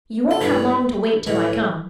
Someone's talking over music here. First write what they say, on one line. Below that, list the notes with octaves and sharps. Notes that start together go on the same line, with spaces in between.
You won't have long to wait till I come.
A4
G2 E3 B4
A2 E3